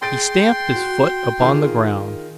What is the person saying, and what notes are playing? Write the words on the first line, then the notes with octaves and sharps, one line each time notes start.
He stamped his foot upon the ground.
G#4 G5 C6 A6 D7
F#4
D#3 F4 G#4